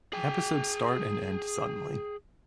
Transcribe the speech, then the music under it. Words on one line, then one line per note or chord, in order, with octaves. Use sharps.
Episodes start and end suddenly.
G#4 G5